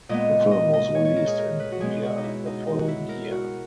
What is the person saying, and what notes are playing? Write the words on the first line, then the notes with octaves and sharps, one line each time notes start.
The film was released in India the following year.
A#2 G#3 B3 D#5
D#5
D#5
C#5
C#5
A#4
G#4
A#4
B4
F#4
B2 G#3 B3 G#4
F#4
D#4
E4
D#4
D#4
F#4
E4
A#4
F#4